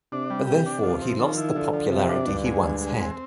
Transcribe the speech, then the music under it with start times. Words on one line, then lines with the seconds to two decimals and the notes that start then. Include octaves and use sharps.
Therefore he lost the popularity he once had.
0.12 C3 D4
0.30 G3
0.48 C3 G4
0.66 D4
0.83 F3
1.02 C4
1.19 D#3 F3
1.37 E4
1.56 D3 F3
1.73 F3
1.91 C3 F3
2.09 D4
2.27 D2 G2
2.46 G#3
2.63 D2 G2
2.81 G#3
2.99 C4